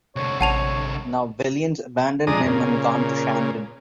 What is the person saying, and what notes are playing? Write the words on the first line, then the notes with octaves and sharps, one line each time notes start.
Now, Belion's abandoned him and gone to Shandon.
C2 D3 C#5
A1 C#5 F#5 A5 F7
F2 G#3 D4 A#5 D#6
A#2 C#3